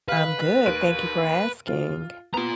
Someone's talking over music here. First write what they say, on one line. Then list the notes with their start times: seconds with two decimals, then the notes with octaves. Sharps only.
I'm good, thank you for asking.
0.08 B4 F5
0.66 D#2 D7 D#7
1.67 F4
2.34 B3 F4 A#5